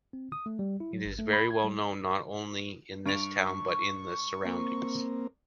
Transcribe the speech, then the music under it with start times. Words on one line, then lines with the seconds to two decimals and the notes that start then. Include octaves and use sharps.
It is very well known, not only in this town but in the surroundings.
0.13 C4
0.32 D#6
0.46 A3
0.59 G3
0.80 E4
0.93 F#3
1.05 G#1
1.19 A3
1.33 B5
1.51 G#6
1.64 G3
3.06 G2 C#6 D7 F7
4.45 A#3 C4